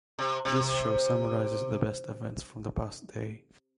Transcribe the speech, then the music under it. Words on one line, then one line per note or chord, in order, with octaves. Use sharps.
This show summarizes the best events from the past day.
C3
C3